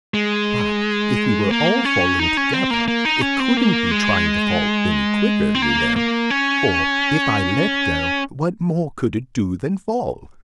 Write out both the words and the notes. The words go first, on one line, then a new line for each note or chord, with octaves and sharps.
But, if we were all falling together, it couldn't be trying to fall any quicker, you know: for, if I let go, what more could it do than fall?
G#3
A#3
C#4
D#4
C#4
C4
A#3
A#3
D#4
C#4
C4
A#3
G#3
C4
A#3
A#3
C#4